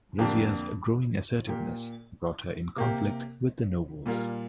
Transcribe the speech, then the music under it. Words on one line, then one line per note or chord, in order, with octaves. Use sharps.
Razia's growing assertiveness brought her in conflict with the nobles.
F2 D3 A#3 D4 G4
A#2 A#3 G4
C3 A#3 G4
A#2 G3 A#3 F4